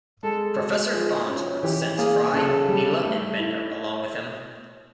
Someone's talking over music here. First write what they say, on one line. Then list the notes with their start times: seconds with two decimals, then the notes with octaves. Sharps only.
Professor Farnsworth sends Fry, Leela, and Bender along with him.
0.23 G#3 A4
0.58 F#4 G#4
0.93 F3 G#4
1.28 C#4
1.63 E3 G4
1.98 A#3 G#4
2.33 C#3 A4
2.68 G3
3.04 A3
3.39 E4